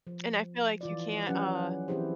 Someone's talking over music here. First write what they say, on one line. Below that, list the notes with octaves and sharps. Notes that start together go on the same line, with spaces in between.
And I feel like you can't, uh
F3
E3 F4 D5
F3 F#3 C#4 G4 B4 F#5
E3 C4 E4 G4 G#4 C5